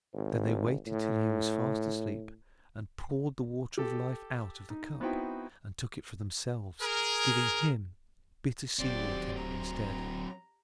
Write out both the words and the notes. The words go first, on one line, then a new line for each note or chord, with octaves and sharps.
Then they waited till he was fast asleep, and poured the Water of Life out of the cup, and took it for themselves, giving him bitter sea-water instead.
G#1
A2
G4 A4
D#4
B3 C4 D#4 E4 F#4 G5
G#4 A#4
D#1 F#3 C4 G4 D5
D1 A#5